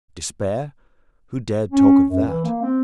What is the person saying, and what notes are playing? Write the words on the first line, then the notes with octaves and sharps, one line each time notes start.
Despair! Who dared talk of that?
C#4
F#2
E3
A#3
C4